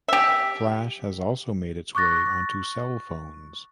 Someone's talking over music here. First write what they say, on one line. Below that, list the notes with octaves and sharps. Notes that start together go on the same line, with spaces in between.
Flash has also made its way onto cell phones.
G4 E5
C#6 D6 F#6 A6 A#6